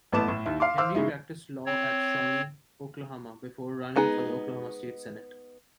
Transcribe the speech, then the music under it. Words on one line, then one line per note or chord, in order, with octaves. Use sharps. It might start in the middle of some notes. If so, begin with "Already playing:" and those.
Henry practiced law in Shawnee, Oklahoma before running for the Oklahoma State Senate.
A1 A3 B3 A5 D6 E7
A2
D#2 E4
F5 C6 D6
C5 F5 C6 D6 E6 F6
C#3 G#3 D#4 E4
C4 C#5
G#3 B3 D#4 G#4